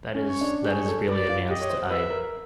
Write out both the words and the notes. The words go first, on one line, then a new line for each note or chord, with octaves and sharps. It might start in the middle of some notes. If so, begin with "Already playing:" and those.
That is that is really advanced I
C#4
C#5
D4
G4
G#4 C#5
A4
B4 D5
F4
G4 D#5
C#5
C5
B4 E5
A#4